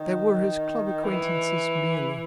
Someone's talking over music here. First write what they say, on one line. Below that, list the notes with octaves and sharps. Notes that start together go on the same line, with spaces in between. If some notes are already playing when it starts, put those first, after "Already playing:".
They were his club acquaintances merely.
Already playing: D#3
E3